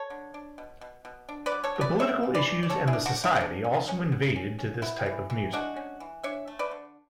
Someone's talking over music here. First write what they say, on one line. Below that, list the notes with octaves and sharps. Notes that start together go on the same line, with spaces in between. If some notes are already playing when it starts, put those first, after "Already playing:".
The political issues and the society also invaded to this type of music.
Already playing: A4 C#5
D3
D4
B2
B2
B2
D4
B4 D5
F#3
A4 C#5
F#3
B4 D5
B3 C#5 E5
E3
B4 D5
D4
D5
D3 A4 C#5
E4 G#4
D4
D4 F#4
D4
E4
C#4 D4
C#4
C#4
F#3
C#4
C#4
B3 E4
E3
E3
G#3 D4 F#4
C#4
E3
D4 C#5 E5
A3
B4 D5
D3